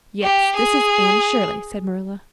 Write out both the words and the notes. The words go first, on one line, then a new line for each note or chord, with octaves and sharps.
"Yes, this is Anne Shirley," said Marilla.
G4
G#4